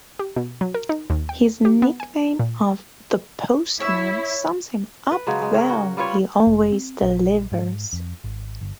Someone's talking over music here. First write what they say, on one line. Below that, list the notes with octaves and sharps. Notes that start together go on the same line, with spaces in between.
His nickname of 'The Postman' sums him up well, he always delivers!
G4
B2
F#3
A#4
D#4
D#2
G5
G4
B3
G#5
A#2
E4 C#5 E6
B4
C#3 F#3 G#3
G#3
C#4 A#4
F#4
G3 F4 B4 C#5
F1
C4
A#1
G#2
F2
G#1
G1